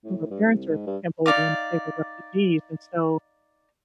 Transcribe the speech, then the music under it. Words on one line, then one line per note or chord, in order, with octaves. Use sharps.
her parents are Cambodian, they were refugees, and so
A2
G2
C2
G#2
G2
D#4 D5 F5 D6